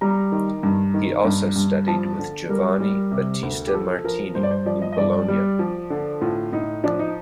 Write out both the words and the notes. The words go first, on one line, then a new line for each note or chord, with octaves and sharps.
He also studied with Giovanni Battista Martini, in Bologna.
G3 A#5
D#3
G2
D#3
G2
G2
F3 A5
D3
G3 A#4
G3
C3
D2
G4
F3 A4
F3 A#4
G2 C5
D5
C5
F3 D5
D#5
D#5
G2 D5
G3
F3
D3
A2 F4
A2 D#4
F3 D4
D#4